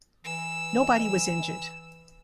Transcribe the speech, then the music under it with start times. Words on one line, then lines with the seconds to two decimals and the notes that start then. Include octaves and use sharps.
Nobody was injured.
0.25 E3 E6